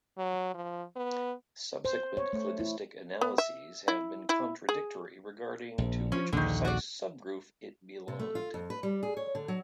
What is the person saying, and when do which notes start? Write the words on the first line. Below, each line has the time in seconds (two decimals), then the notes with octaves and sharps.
Subsequent cladistic analyses have been contradictory regarding to which precise subgroup it belonged.
0.18 F#3
0.54 F3
0.96 B3
1.85 C5
2.17 C#5
2.33 A3
2.59 E4
3.21 B3
3.38 E5
3.88 E4
4.29 E4
4.69 G#4
5.78 A#1
6.12 F3 C#4
6.33 A#1 D#2 D3 D#3
6.65 F#4 D5
8.08 C3
8.19 A3
8.35 F4
8.54 F2
8.70 B4
8.83 G3
9.03 G#4
9.17 C#5
9.35 D3
9.48 F#3